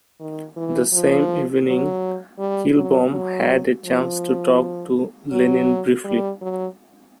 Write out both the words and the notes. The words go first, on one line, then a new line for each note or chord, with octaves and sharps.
The same evening, Kilbom had a chance to talk to Lenin briefly.
D#3
E3
F3
F#3
G3
F#3
F#3
F3
F#3
G3
F#3